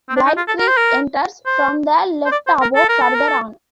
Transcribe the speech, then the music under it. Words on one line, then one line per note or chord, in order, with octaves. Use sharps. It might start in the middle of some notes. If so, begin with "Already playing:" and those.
Blind Creek enters from the left about further on.
C4
D4
D#4
F4
A4
A#4
C5
A#4
C5
C5
D5
C5
A#4
A4
A#4
A4
A#4
A4